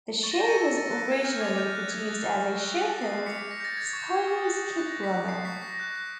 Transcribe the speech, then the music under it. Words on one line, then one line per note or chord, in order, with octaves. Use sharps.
The show was originally produced as a show called "Spivey's Kid Brother".
C#6 A6
A#6
G6 A6
C#7 D#7
E6
C#6 A6
A#6
F#6
B6
F#6 G#6
F6 G6
D6 G#6
F6 G6
F#6 G#6
D#6 G#6
F#6 A6
C#6
C#6
F#6
F#6 B6
D#6
C7
F#6
C7
D6 B6 C#7
B6
D6
A#6
G6 A6
G6 G#6
C#6 G#6
G6
C#6 G#6
D#6 G#6
F#6
D#6
B6
F#6 A#6
F#6
B6
F#6
F#6 C7
C#6 B6
C#6 A#6
F#6
F#6